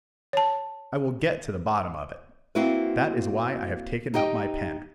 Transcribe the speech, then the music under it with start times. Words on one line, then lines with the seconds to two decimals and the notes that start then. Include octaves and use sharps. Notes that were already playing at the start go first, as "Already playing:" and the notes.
I will get to the bottom of it! That is why I have taken up my pen....
0.33 C#5 A5
2.55 A#3 C4 E4 F#4 B4
4.14 D#4 G4 D#5 G5